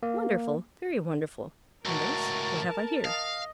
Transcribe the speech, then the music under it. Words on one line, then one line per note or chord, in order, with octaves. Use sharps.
Wonderful, very wonderful!--And this--what have I here?
A#3
C#2 A2 F#4 A#4 A5 A#5
D#5 F5